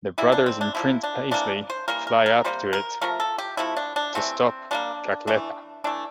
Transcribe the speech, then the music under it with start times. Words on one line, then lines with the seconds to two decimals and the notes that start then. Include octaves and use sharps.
The brothers and Prince Peasley fly up to it to stop Cackletta.
0.18 E3 G3 A#3 E4
0.32 D4
0.46 C4
0.61 D4
0.75 C3 F3 A#3 E4
1.03 D4
1.31 C3 E3 A#3 D4
1.70 C5
1.88 E3 G3 A#3 A#4
2.07 A#4
2.26 A#4
2.44 C3 G3 A#3 C5
2.73 A#4
3.01 C3 F3 A3 A#4
3.20 A4
3.38 G4
3.57 C3 F3 A3 E4
3.76 D4
3.96 D4
4.15 C3 E3 A3 C4
4.71 E3 G3 A#3 D4
5.27 E3 A3 D4
5.84 E3 A3 D4